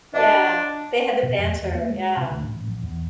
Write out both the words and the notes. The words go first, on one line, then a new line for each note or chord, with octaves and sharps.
Yeah, they had the banter. Yeah.
D4 D5 D#5 A5
B2
F2
E2
A#3
G#3
C3
D2
A1
A1
A#1
E2